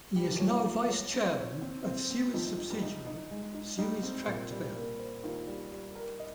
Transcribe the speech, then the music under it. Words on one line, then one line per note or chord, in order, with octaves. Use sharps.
He is now Vice Chairman of Suez subsidiary, Suez-Tractebel.
G3 G4
F3
D#3
F2 F3 C#5
C#5
C#5
C4
C#5
C4
C4
C4
F2 F3 D#4
D#4
G2 G3
D#4
D#4
G#3
D#4
G2 G3 D#4
C4
A#2
G3
A#3
C5
D#2 D#3 F4
G3
G3
A#4
D#5